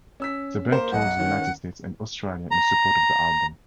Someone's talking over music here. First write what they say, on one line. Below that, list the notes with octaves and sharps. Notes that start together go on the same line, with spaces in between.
The band toured the United States and Australia in support of the album.
C#4 E6 B6
A#3 A#4 C5
B1 D#5 F#5
D#3 C#4
A#5